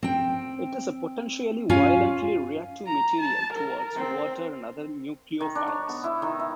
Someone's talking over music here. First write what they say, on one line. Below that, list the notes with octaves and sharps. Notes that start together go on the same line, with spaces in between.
It is a potentially violently reactive material towards water and other nucleophiles.
C4 G5
C#4 F4 F5 G#5
A#5
A5
A#4
C4
D#3
D4
C#5
B3
E4
D#3
E4